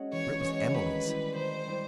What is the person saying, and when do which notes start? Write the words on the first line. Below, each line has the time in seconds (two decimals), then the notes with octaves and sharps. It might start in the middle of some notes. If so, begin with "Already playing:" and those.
For it was Emily's!
Already playing: G#3 C#4 F#4
0.12 E3 C#5
0.43 G#3 C#4 F#4 C#5
0.74 D#3 B4
1.05 G3 C4 E4
1.35 D#3 C5
1.67 G3 C4 E4